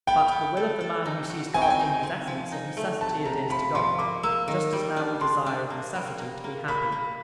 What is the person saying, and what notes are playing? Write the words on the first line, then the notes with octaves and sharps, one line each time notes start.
But the will of the man who sees God in His essence of necessity adheres to God, just as now we desire of necessity to be happy.
B3 G5
B3
A4
A4
D#4
F#4
C4 G#5
G5
G#5
D#4
C4
F3
D#4
A3
C3 A5
C3 A#5
F3 B5
F3 C6
A#3 D6
A#3 E6
D#3
G3
D4
D4 C6
D4
A#3
G3
A#3
A#3
A#3 B5
A#3